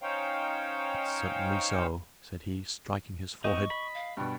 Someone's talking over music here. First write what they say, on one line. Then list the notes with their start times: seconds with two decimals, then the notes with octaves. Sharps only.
"It's certainly so," said he, striking his forehead.
0.02 C#4 D#4 C5 C#5 F5 G5
3.44 B3 C4 D#4 D#5 C#6
3.70 B5
3.94 F5
4.17 G2 B2 G5